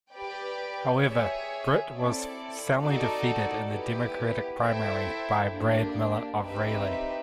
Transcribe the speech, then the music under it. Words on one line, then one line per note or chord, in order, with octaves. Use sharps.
However, Britt was soundly defeated in the Democratic primary by Brad Miller of Raleigh.
G4 B4 D5 G5
G#4 C#5 E5
C4 E4 A4 D5
D#4 F#4 A4 D5
B3 E4 G4 B4
E4 A4 C5 E5 G5
A#3 D4 G4
C4 D#4 G4 B4 E5